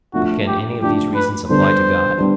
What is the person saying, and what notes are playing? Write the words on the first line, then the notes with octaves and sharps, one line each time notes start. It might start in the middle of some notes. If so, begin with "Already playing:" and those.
But can any of these reasons apply to God?
F3 A3 D4 F#4
G4
F3 A3 D4 G4
B4
D3 G3 B3 D4 C5
G3 B3 D4